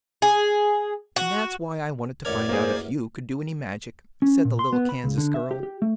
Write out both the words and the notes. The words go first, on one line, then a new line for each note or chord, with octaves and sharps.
"That's why I wanted to find out if you could do any magic," said the little Kansas girl.
G#4
F#4
A1 F#2 A#4 C#5 D5 G#6
A#3 G#4 C5
C#4
A#2
C6
B3
B5
C#2
D3
E5
G4
G4
A3